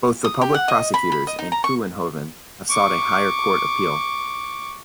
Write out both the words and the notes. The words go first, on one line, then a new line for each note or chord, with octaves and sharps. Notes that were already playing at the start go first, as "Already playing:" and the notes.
Both the public prosecutors and Kouwenhoven have sought a higher court appeal.
D#6
G4
F#5
D#5
B5
B5
D#5
D#4
A#5
C#6
C#6 D6